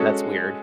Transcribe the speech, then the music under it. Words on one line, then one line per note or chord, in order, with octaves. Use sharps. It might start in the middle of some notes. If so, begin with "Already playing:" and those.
That's weird.
Already playing: G#3 C#4 F#4 A4